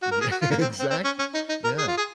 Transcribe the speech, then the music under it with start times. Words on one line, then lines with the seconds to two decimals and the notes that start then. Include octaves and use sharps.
Yeah, exactly. Yeah.
0.02 F#4
0.12 A#4
0.21 G#4
0.31 F#4
0.42 F4
0.51 A#3
0.61 C4
0.80 C4
0.90 C4
1.05 C#4
1.19 C#4
1.35 D#4
1.49 D#4
1.64 A#4
1.78 G#4
1.88 F4
1.98 G#4